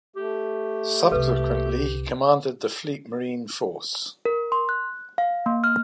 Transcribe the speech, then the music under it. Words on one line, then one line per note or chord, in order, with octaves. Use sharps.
Subsequently, he commanded the Fleet Marine Force.
A3 G4
C2 C3 A4 B4
A#4
C6
F#6
F5
A#3
F6